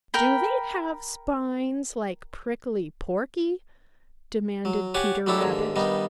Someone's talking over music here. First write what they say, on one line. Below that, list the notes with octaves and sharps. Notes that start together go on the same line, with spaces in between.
"Do they have spines like Prickly Porky?" demanded Peter Rabbit.
A#4 G5 B5
F#3
G4 C#5 F#5 G#5 A5
F#3 A3 D4 E4 G4 A4
D#2 G#2 D3
G2 D#3 G3 B3 D#4